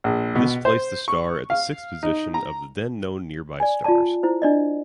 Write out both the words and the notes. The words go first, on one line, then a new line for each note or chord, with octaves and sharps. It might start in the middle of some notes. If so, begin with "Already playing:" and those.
This placed the star at the sixth position of the then-known nearby stars.
A#1
B2
C5
C#6
F5
D#4
A#5
D5 G#5
F4 D5 A5
E4 C5
D4 D5 D#5